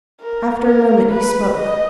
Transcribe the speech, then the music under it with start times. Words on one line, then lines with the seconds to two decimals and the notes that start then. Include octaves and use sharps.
After a moment he spoke.
0.21 A#4
0.66 A#4
1.11 B4
1.57 D#5